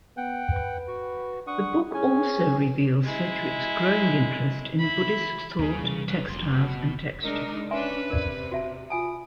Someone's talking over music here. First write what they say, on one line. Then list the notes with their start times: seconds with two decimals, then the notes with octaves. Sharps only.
The book also reveals Sedgwick's growing interest in Buddhist thought, textiles, and texture.
0.17 B3 F#5 G5
0.53 B4
0.88 F#4
1.47 D4 F#5 C#6 D#6
1.94 C#4 G#4 G#5
3.04 G#3 E4
4.79 E4 B5
5.59 D#2 C#3 G#4
5.83 C3 E3 G3
6.09 C#3 B4
6.28 F1 D2 C6
6.53 B2
7.23 G#3 D4 D#4 A#4
7.71 C#4 D4 B4 E5 G#5 C6
8.10 C3 A#4 D5
8.52 F#4 E5 A5
8.90 F4 G#5 A5 D#6